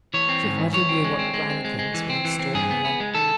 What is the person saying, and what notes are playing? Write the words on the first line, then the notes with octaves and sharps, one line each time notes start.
She hardly knew what grand things were in store for her.
E3 C#5
C4
G#2
E3
E3 C#5
C4
G#3
C4
G#3
C4
G#3
G#3
E3
C4
E3
C4
G2 G#4
B3
B3
G#3
D#3 A4